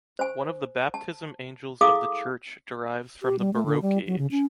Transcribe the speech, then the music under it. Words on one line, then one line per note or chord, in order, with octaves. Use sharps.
One of the baptism angels of the church derives from the baroque age.
C5 G#5
A5
E4 G#4 A4 F5 D6 D#6
G4
G3
A3
D3
G3
F#3
C#3
C#4